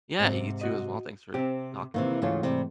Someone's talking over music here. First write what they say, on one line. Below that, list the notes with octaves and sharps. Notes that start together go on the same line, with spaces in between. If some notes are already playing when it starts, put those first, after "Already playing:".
Yeah, you too as well, thanks for talking.
G#2 C3
F#4 D#5
C3 C4 G4
C3 D#3 E3 A#3
D2 G#2 C#3 E3 A3 F4
C3 G3